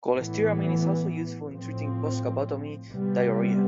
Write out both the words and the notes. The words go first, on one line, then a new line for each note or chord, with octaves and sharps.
Colestyramine is also useful in treating post-vagotomy diarrhea.
A2 E3 B3
A2 F3 C4
C3 G3 B3